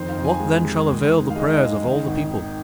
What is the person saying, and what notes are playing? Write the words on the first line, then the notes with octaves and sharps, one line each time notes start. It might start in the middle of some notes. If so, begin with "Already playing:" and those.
What, then, shall avail the prayers of All the People?
Already playing: F2 D#3 C5
F5
F2
G#5
G#3
G#3
D#2
D#3
F5
G#3 D#5
D#3
D#3
G#1
D#3